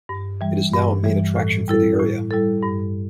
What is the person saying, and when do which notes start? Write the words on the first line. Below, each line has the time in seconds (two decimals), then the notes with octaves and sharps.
It is now a main attraction for the area.
0.09 G2
0.41 E3 G3
0.73 G2
1.04 E3 G3
1.36 A2
1.68 G3 E4 A4
1.99 A2
2.31 G3 E4 A4
2.63 G2